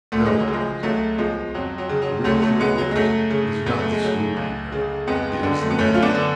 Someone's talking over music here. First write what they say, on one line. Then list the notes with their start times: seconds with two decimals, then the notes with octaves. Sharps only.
"No," continued Clawbonny; "the real truth is, it is not the sloop you care about: it is the man."
0.12 D2 A3
0.26 G#3
0.39 F#3
0.48 C#3
0.53 F3 G#3
0.83 C#2 F#3 A3
1.18 B2 F3 G#3
1.55 F2 F#3
1.78 F#3
1.89 C#3
2.02 F#3
2.24 D2 F#3 A3
2.42 F#3 A3
2.60 C#3 G#3 B3
2.78 F#3
2.91 G#3
2.95 F#2 F#3 A3
3.30 C#3
3.66 F#2 B3
3.79 A3
3.92 G#3
4.02 C#3 F#3 A3
4.37 C#2
4.72 C#3
5.07 F2 G#3 B3
5.43 D3
5.61 A3
5.71 B3
5.78 F#2 A3 C#4
5.94 F4
6.02 B3 D4
6.15 D3